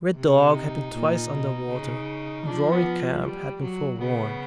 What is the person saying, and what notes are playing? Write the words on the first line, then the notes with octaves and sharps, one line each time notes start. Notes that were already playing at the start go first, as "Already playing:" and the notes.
Red Dog had been twice under water, and Roaring Camp had been forewarned.
C3
D#4
A#2
B2
C#3
F3 D4
B3
G3
F#3
C#3 B3